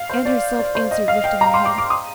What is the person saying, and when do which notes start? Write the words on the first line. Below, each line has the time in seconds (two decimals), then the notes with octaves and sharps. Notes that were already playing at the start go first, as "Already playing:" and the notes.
Anne herself answered, lifting her head.
Already playing: F5
0.10 C5
0.25 D5
0.59 D5
0.75 C5
0.91 D#5
1.08 F5
1.24 G5
1.41 A#5
1.54 C6
1.65 D6
1.78 D6
1.90 D#6